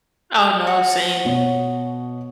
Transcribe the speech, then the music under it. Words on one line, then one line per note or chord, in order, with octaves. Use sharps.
Oh, no. Same.
F#4
B2 C#5